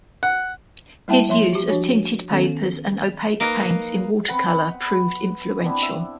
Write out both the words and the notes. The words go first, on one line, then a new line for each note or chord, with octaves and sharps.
His use of tinted papers and opaque paints in watercolour proved influential.
F#5
G3 A#3 E4 E5 G5 A5
F3 E5 C6
F#4 G4
F3 D4 F#4 C#5
D#3 B3 C#4 A4
A#3 D#4 A#4 B4
B3 C4 B4 F#5
B5
B3 C4 D4 E4
E5